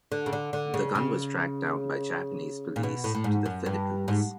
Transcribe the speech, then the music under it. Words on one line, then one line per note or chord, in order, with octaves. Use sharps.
The gun was tracked down by Japanese police to the Philippines.
D3
C#3
D3
D3
C#3
C#3
A#2
B2
A2
A2
G#2
F#2
G2
G#2